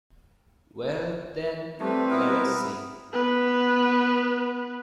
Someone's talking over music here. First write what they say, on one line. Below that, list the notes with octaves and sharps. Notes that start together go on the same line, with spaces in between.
Well, then, let us see.
G3 A3 C4 B4
B3 E4 A#4
B3 B4